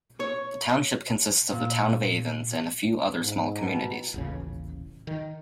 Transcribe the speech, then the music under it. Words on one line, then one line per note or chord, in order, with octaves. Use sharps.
The township consists of the town of Athens and a few other small communities.
C#5
A#2
G#2
B2 A5 A#5
D#1 A1 C#3
D#3